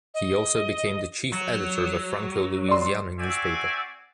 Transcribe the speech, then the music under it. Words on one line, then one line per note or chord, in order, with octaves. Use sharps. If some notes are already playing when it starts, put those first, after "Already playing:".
He also became the chief editor of a Franco-Louisiana newspaper.
D#5
F#3
D5 C6
C4 F#4 D5 E5 G#5